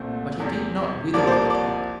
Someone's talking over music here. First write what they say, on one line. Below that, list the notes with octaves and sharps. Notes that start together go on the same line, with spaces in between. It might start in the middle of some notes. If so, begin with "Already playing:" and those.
But he did not wither at the top.
Already playing: C2 A#2 A3 C4
E2 C3 G3
C2 C3 F3 A#3 D5
C5
D5
D5